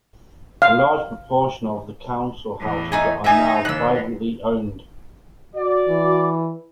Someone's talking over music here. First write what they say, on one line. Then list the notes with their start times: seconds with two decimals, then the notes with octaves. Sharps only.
A large proportion of the council houses are now privately owned.
0.62 F5
2.60 E2 A2
2.92 A3 D#4 G#5
3.24 D#4 E5 G#5
3.65 D#2 E6 F#6
5.55 F#4 D5
5.88 E3